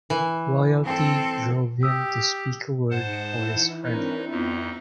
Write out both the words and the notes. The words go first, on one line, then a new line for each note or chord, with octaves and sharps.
Loyalty drove him to speak a word for his friend.
E3
C4 A4
G4 D#6 E6
G#2 D#4 C5 F#5 A5
E3 E4
C4 D4 D#4 A#4 B4 C#5
F2 B3 D#4 F4 E5 A#5